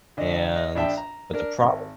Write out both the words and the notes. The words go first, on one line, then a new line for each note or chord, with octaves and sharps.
And but the problem
D2 D4 D#5
D#5
A#1 D4 E5 G5 A5
A#5
D4 A#4
G#1